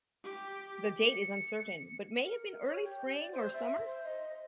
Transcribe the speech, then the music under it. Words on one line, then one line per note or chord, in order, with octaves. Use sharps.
The date is uncertain, but may have been early Spring, or summer.
G4
C#7
A#4
C#5
G4
D5
C5
E5
C5
D#5